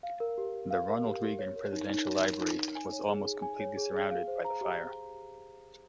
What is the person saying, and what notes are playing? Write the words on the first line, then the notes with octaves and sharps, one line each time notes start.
The Ronald Reagan Presidential Library was almost completely surrounded by the fire.
F5
A#4
G4
G4
F5
A#4
G4
G4
C#5
A#4
D#4
D#4
C#5
A#4
D#4
D#4
G#5
C#5
G#4
G#4
G#5
C#5
G#4
G#4
F5
C5
A#5
G4